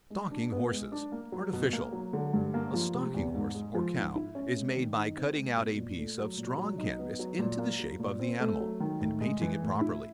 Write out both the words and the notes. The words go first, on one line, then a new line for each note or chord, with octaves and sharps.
Stalking-horses.--Artificial.--A stalking-horse, or cow, is made by cutting out a piece of strong canvas into the shape of the animal, and painting it properly.
G#3
D4
B3
G#3
D4
A#3
F#3
B2
A#3
F#3
D3
G2
A#3
F3
C3
E2
G#2
G#3
F3
G#2
E4
C#4
G#3
D#3
D#4
C4
G#3
B2
A#2
A3
F#3
A#2
F#3
D#4
B3
F#3
A#2
A#3
F#3
A#2
C4
A3
F#3
D#3
A2
G#3
E3
A2
E4